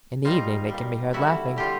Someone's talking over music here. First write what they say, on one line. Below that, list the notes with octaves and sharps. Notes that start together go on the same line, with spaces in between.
In the evening they can be heard laughing.
A#2 G3 D#4 F4
G3
A#2
D3 G3 E4 F#4
D3 G3 F4 G4